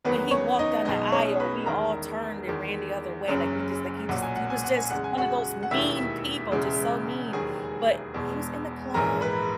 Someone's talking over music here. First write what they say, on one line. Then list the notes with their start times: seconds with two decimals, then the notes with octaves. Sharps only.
when he walked on the aisle, we all turned and ran the other way, like, we just like he just he was just one of those mean people, just so mean, but, he was in the club,
0.04 E2 D#3 F#3 B3 B4
0.31 C#4 C#5
0.59 D#4 D#5
0.85 B1 B2 G#3 D#4 D#5
1.12 C#4 C#5
1.40 B4 B5
1.66 E2 D#3 G#3 A#4 A#5
2.47 E2 D#3 G#3
3.28 F#1 F#2 C#3 F#3
4.09 B1 A#2 F#3 F#5
4.22 G#5
4.36 F#5
4.50 G#5
4.63 F#5
4.77 G#5
4.90 E2 C#3 G#3 F#5
5.04 G#5
5.18 F#4 F#5
5.63 F#5
5.71 E1 D#2 D#3 E4 E5
6.52 E1 E2 C#3 G#3
7.33 E1 D#2 D#3 F#3 G#4 G#5
8.14 E1 E2 B2 G#3
8.94 A#1 G#2 E3 G#3 A#4 A#5
9.21 B4 B5